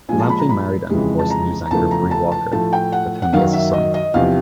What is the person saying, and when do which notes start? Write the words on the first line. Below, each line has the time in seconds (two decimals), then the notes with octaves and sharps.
Lampley married and divorced news anchor Bree Walker, with whom he has a son.
0.09 A#2 F3 G#3 G#5
0.19 A5
0.29 B5
0.39 A#5
0.49 B5
0.90 F2 C#3 E3 G#3
1.19 A5
1.30 A#5
1.66 A#5
1.71 E2 C#3 F3 A3 A5
1.91 A#5
2.11 A5
2.32 A5
2.52 A2 F3 A3 A5
2.73 G5
2.92 F#5
3.22 F#5
3.33 F#2 D#3 F#3 F5
3.53 E5
3.73 D#5
3.94 D#5
4.14 E2 C3 F3 F5